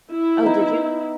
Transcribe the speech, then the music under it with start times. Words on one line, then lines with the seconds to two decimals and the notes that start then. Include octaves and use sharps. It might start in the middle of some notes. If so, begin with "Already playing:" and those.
Oh, did you?
0.12 E4
0.43 B3 D#4